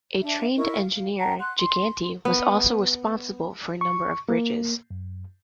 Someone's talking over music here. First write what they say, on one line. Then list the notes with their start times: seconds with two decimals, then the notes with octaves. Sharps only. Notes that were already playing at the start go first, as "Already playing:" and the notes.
A trained engineer, Giganti was also responsible for a number of bridges.
0.22 D4 E5
0.56 E4 A#4 D#5 C#6
0.79 F5
1.19 F#5 G5 A5 A#5
1.39 F#5 C6 F#6
1.56 C6
2.25 B3
3.81 C#6
4.29 A#3
4.90 F#2